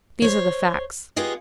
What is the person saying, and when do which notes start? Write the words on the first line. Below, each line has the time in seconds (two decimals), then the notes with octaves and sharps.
These are the facts.
0.22 C5 C#5
1.16 B3 F4 G4 G#4 D#5